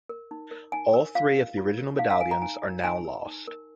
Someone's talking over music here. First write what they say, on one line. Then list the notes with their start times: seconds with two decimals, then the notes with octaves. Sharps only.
All three of the original Medallions are now lost.
0.09 A#4
0.31 D#4
0.51 A#4
0.72 D#4 G#5
0.94 A#4
1.15 F4 F5
1.37 A#4
1.58 F4
1.78 A#4
1.99 D#4 F5
2.11 F5
2.21 A#4 G#5
2.31 A#5
2.42 D#4 G#5
2.63 A#4
2.84 D#4 G#5
3.05 A#4
3.25 D#4
3.48 A#4